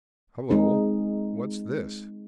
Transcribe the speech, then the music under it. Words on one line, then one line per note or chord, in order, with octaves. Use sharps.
"Hullo, what's this?"
G#3 C4 D#4 G#4